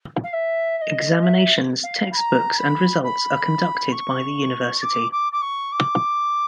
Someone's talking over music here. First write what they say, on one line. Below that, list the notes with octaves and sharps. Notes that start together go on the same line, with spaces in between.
Examinations, textbooks and results are conducted by the university.
F5
E5
E5
D#5
E5
F5
B5
A#5
B5
B5
C#6
D6
D6
D6
C#6
D6